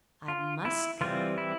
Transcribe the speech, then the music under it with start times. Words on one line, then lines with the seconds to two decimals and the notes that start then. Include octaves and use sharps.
I must go.
0.28 F4
0.65 E4
1.01 E3 G3 C4 F4
1.38 E4